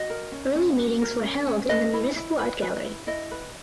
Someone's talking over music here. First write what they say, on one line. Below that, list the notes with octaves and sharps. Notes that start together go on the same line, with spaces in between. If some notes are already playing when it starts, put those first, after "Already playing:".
Early meetings were held in the municipal Art Gallery.
Already playing: F#4 D#5
A#4
C#4
C#4
F#4
A#4
C#4
C#4
B4 D#5
E4
E4
B4
B4
E4
E4 D#5
B4